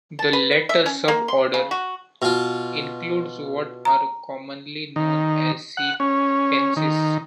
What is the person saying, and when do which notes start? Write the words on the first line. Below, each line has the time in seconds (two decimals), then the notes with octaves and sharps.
The latter suborder includes what are commonly known as sea pansies.
0.19 A5
0.33 B4
0.69 E5
0.86 C#4
1.08 A#3
1.28 C6
1.54 C#3
1.71 F#4
2.22 B2 F4
3.85 A#5
4.96 D#3
5.77 F#5
6.00 C#4
6.76 D#3